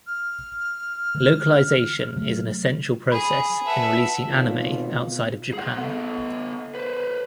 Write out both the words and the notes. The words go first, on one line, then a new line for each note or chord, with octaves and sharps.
Localisation is an essential process in releasing anime outside of Japan.
F6
D3 E3 G#3
C3 F#3 A3
G#4 B5
B4 E5 F#5 A5
G#1 B2 F4
G#4 F#5
B3 A4
B4 C5